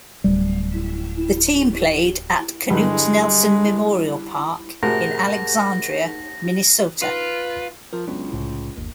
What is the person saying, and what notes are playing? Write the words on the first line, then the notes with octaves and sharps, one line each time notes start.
The team played at Knute Nelson Memorial Park in Alexandria, Minnesota.
D1 G3
G2 D3 G3 G#3
A2 C3 F#4 G#4 A#4 F#5 A#6
F4 B4
F3 A#4
C#2 F#3 B3 D4
C2 A2 C#3
G1 D#2 A#3